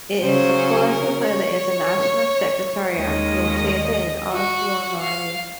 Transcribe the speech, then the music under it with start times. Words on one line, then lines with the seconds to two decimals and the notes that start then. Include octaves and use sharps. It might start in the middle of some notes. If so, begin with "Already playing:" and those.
It is supported by the international secretariat, located in Oslo, Norway.
0.22 C#3 F#3 C#4 C5
0.90 A#4
1.25 C#5
2.96 D#2 D#3 G#3 C#4 D#5
4.33 F#4
5.01 F5